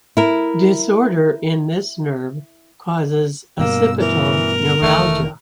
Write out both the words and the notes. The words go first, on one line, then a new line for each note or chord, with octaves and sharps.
Disorder in this nerve causes occipital neuralgia.
E4 A#4
G2 B2 A#3 E6
E3 A#4
F1 D#3 E3 A3